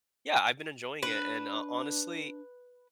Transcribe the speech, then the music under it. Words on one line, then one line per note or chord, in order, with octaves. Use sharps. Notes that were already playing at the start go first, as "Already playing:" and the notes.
yeah, I've been enjoying it, and, uh, honestly,
D4 B4